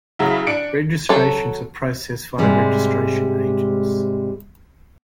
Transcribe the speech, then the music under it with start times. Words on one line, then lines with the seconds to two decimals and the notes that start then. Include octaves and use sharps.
Registrations are processed via registration agents.
0.19 C#3 F#3 E4
0.47 D4 C#7 D7
1.09 F#3 A4
2.38 G#2 C3 G3 G#3